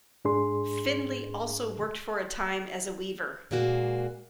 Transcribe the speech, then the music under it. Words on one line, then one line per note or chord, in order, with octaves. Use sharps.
Findley also worked for a time as a weaver.
G#2 D4 G#4 C6
A#2 G#3 A#3 F#4